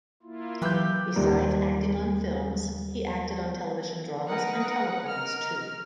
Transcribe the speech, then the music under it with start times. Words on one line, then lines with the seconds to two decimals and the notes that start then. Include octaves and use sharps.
Besides acting on films he acted on television dramas and telefilms too.
0.23 A#3 E4 F4
0.62 E3 F#3 G4 B4 E5 G6
1.16 D#2 G3 A#4
4.27 D#4 A#4 B4 F#5 D#6
5.07 A#4 D#5 F6